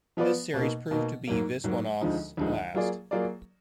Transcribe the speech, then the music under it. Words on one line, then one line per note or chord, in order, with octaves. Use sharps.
This series proved to be Viswanath's last.
F3 B3 F4 B4 D5
B2 A#3 D#4
B2 A#3 D#4
G#2 F#3 A#3
G#2 F#3 A#3
D2 D3 F3 G#3 D#4
D2 D3 F3 G#3 D#4
F#3 A#3 F4 G#4 D5
F#3 A#3 F4 G#4 D5